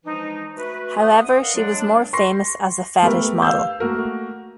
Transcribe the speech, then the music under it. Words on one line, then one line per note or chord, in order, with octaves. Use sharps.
However, she was more famous as a fetish model.
E3 F3 G#3 D4 D#4
A3 F#4 B4
C5 E5 F#5 C6 D#6
D#6
A#4 B4 D5 D#5 F5 F#5
F#3 G#3 D4
C6 C#6 A#6 C7
A3 B3 G4 A#4
F5 E6 G6
A3 A#3 F#4 A#4